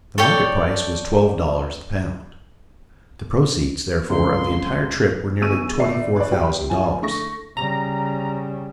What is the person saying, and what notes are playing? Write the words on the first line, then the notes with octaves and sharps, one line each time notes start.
The market price was twelve dollars the pound. The proceeds, therefore, of the entire trip were nearly twenty-four thousand dollars.
A4 C#5 D5 G5
C#2 C6
G1 B2 G#4 C#6 E6 D#7
G1 D5 E5 C7
B4 C#5 D5
G4
F3 G#5
D3 A3 C#6 A#6
C#3 G3 A#5